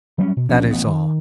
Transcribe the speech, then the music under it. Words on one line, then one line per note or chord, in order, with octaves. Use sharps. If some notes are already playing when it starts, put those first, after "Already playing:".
That is all.
F#3 G3 A#3 C#4
B2
C#2 F3 C#4 D4
A1 B3
D#3